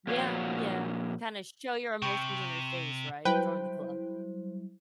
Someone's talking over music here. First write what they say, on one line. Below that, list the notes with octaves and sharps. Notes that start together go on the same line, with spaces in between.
Yeah. Yeah. Kinda show your emotions on your face, right, join the club.
A#2 F3 F#4 C#5 F5 F#5
C3 G5 C#6 G6
F#3 G3 E4 B4 C5 G5